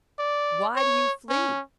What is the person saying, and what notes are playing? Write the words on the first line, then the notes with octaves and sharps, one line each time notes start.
Why do you flee?
D5
C#5
C#4